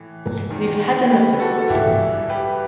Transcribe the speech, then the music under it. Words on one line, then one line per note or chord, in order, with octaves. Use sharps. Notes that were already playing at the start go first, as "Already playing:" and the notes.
We've had enough of it.
Already playing: A2 E3
E2 D#3
G4 B4
F#4 A4
A4
G2 E3 E4 G4
G4 B4